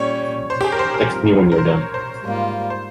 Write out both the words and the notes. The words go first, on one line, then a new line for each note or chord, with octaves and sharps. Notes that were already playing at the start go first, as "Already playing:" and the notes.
Text me when you're done.
Already playing: A#2 G3 C#4 C#5
C5
G4
G#4
A#4
C5
A#4
G2 F3 C4 G4
A#4
C5
C#5
C5
G#2 G3 A#3 F4
C5